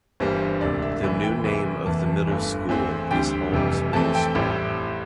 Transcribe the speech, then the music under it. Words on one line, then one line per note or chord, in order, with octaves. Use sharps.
The new name of the middle school is Holmes Middle School.
G1 G2 E3 G3 A#3 C5
C5
E1 D2 C3 D5
E5
A#1 A2 E3 E5
G5
E2 C3 E3 A#3
F1 E2 E3 A#3 A5
G1 G2 E3 A3
E2 E3 A3 C4
D2 D3 G3 C4 G5
F1 F2 C3 E3 G3
F2 E3 A3 C4 A5
G5
A1 A2 G3 C4